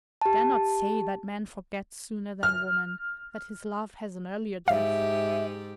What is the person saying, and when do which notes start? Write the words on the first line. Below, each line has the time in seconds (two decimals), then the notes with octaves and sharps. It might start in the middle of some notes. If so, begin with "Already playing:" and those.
Dare not say that man forgets sooner than woman, that his love has an earlier death.
0.22 G4 A5
2.43 F6
4.68 G#2 G4 E5 F5